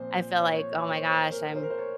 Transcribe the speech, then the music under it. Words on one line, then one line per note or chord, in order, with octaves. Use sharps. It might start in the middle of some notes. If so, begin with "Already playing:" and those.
I feel like, "Oh my gosh. I'm"
Already playing: A#2 F3 C4 C5
C#5
C#5
C#5
C5
C5
A#4
C5
A#4
C5
C#5